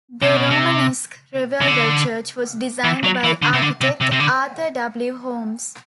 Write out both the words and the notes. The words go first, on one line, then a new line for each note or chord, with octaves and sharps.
The Romanesque Revival church was designed by architect Arthur W. Holmes.
C3
B2
C3
C3
D3
E3
F#3
E3
D3
C3
D3
C3
C3
C3
D3